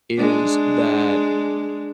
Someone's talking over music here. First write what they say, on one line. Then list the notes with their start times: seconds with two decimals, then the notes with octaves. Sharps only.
is that
0.17 G#3 D4